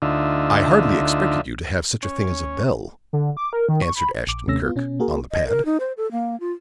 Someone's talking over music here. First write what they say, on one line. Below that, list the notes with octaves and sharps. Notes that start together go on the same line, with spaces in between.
"I hardly expected you to have such a thing as a bell," answered Ashton-Kirk, on the pad.
D2 D3 D#4 F4 E5
C#4
D3
D6
A#4
D#3
C#6
B5
A#1 D6
D#2 C3 A3 C#4 E6 A#6
B3 F4
B2 C#4
A#3 F#4 G#4 A#4
D#5
A#4
D#4
C5
A4
A#3
F4